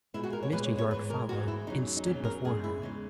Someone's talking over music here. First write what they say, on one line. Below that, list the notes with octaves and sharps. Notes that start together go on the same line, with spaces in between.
Mr. Yorke followed and stood before her.
A#2 G#3 B3 E4
F#4
A#4
C#5
A#2 G#3 B3 B4
C#5
C#5
G#2 E3 G#3 B4
A#4
G#2 E3 G#3 F#4
E4
E2 C#3 F#3 D#4
D#4
E2 C#3 F#3 C#4
A#4
E2 C#3 G#3 G#4
E4
E2 C#3 G#3 D#4